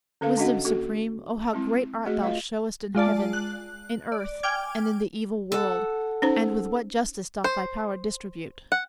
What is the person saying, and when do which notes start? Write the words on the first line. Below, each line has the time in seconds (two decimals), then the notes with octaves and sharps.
Wisdom supreme, O how great art thou showest In heaven, in earth, and in the evil world, And with what justice doth thy power distribute!
0.21 D3 C#4 A4 B4 F5
0.38 C#4 D4 F#4 D#5 F#5
0.65 A#3 F#4 A4
1.53 G#3 C4 E4
2.06 A3 F#4 G#4 D#5
2.22 F4 B4 D#5 F5
2.95 G#3 F4 D5 A5
3.33 F#6
4.12 D5
4.43 G5 G#5 D6 F6 G#6
5.52 A4 F#5
6.22 C#4 D#4 C5
7.44 C5
8.72 F#5